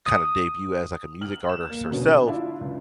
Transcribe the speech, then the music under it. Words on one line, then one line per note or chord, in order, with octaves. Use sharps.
kinda debut as, like, a music artist herself,
D#6
F6 F#7
E7
A#3
B2 D3 C#4
D4 E4 F4
C#2